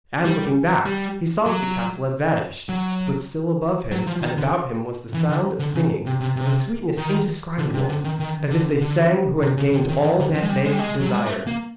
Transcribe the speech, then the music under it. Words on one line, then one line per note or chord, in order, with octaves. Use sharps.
And, looking back, he saw that the castle had vanished. But still above him and about him was the sound of singing, of a sweetness indescribable, as if they sang who had gained all that they desired.
G3
G3
F#3
F#3
F#3
F3
D#3
D3
E3
D3
D3
C#3
C3
C3
C3
D#3
D3
C3
D3
D#3
D#3
D3
D3
C3
C#3
D3
D#3
D#3
D3
F3
G#3
G3
G#3
G3
G#3
F#3
G3
G#3
A3
A#3